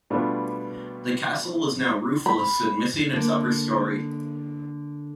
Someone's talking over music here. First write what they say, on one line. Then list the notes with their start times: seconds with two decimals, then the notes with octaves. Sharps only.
The castle is now roofless and missing its upper storey.
0.10 B2 G3 A3 B3 D4 F4
2.26 B5
3.13 D3 A#3